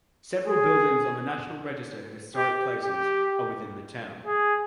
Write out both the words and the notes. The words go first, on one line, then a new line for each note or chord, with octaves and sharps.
Several buildings on the National Register of Historic Places are within the town.
G#4
G4
G4
G#4